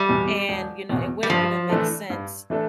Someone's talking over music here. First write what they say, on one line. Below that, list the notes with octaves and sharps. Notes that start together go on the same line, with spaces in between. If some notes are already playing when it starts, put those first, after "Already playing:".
and, you know, it wouldn't even make sense
Already playing: G3
E2 B2
E1
E2 B2
G3
G2 F3
E3 A3 D4 A4
G2
E3 A3 D4 A4